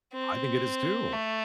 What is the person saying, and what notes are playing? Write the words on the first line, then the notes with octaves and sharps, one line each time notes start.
I think it is too.
C4
A3